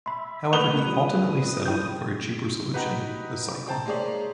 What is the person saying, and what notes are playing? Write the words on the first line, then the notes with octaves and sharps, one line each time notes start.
However, he ultimately settled for a cheaper solution, the cycle.
E5 B5 C6
A3 A#3 B4 F#5 F7 G7
F3 G3 D#6
E4 G5 G6
D#4 F#4 G4 B4
C4 G5 A5 A#5
G#3 A#3 G4 G#4 C#5 D5